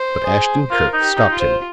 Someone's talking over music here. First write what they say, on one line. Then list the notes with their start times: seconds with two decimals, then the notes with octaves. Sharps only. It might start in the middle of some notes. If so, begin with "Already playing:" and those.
But Ashton-Kirk stopped him.
Already playing: C5
0.25 G#4
0.70 F4 A#4
0.93 D#4
1.02 G4
1.17 D#4
1.32 F4
1.40 C5